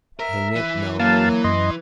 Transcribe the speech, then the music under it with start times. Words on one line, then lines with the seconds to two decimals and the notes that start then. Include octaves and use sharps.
"Hang it, no!"
0.19 A#4 E5
0.56 E3
1.00 E3 F#3 A#3 F5 A5
1.44 F#2 D#5 C6